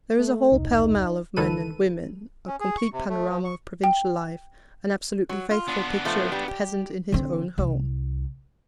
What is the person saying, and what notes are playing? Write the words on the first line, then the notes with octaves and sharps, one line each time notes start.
There is a whole pell-mell of men and women, a complete panorama of provincial life, an absolutely faithful picture of the peasant in his own home.
A3
E1 C2 D#4
C#2 D#3 A4 B4 D#7
C#4
G#4
C#6
C3
A3
F3
C#6
G5
F#3
F4
B3 D4
F3 A3
G3
G4
D3 C4
C2